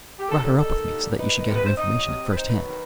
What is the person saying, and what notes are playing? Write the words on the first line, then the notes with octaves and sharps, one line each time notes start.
I brought her up with me, so that you should get her information at first hand.
G4
D#2 A4
G3 A4
D#4 A4
D#3
D#2
G3
D#4 B4
D#3
C3 A4
B4
C4 C5
D#4 D#5
F#3
C3
C4
B4
D#4 C5
F#3 B4
D#3